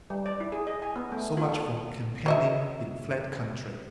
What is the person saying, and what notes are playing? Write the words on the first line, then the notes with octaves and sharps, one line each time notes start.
So much for campaigning in flat country.
G3
D5
E4
G#4
D#5
G#5
B3
A3
F4
A4
F#3 D#5 E5